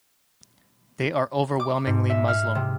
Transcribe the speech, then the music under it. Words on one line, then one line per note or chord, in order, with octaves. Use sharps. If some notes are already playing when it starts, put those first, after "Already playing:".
They are overwhelmingly Muslim.
D6
G#2
E5
F6
C3